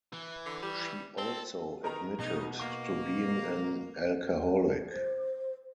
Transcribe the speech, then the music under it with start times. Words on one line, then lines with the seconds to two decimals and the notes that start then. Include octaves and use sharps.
She also admitted to being an alcoholic.
0.13 E3
0.46 D3
0.63 G3
1.18 C4 A4
1.84 D#3 A#4 B4 A#5
2.19 B1 B2 D#4
2.60 A#3 C#6
4.90 C5